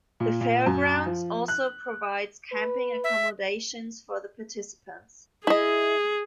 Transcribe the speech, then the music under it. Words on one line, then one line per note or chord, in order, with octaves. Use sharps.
The fairgrounds also provides camping accommodations for the participants.
A#2
A#2
F#2
F3
F#6
B4
E5
E4 G#4 D#5